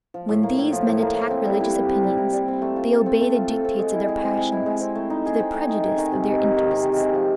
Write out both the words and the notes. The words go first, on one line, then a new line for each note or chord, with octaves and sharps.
When these men attack religious opinions, they obey the dictates of their passions to the prejudice of their interests.
F3
A2
A#3
A2
F3
A2
A#3
A2
C4
G3
E4
G3
C4
G3
E4
G3
C4
A3
F4
A4
C4
A3
F4
A4
C4
G#3
E4
G#3
C4
G#3
E4
G#3
C4
A3
D#4
G#4
C4
A3
D#4
G#4
D#3
C3
G#3
C3
D#3
C3
G#3
C3
F3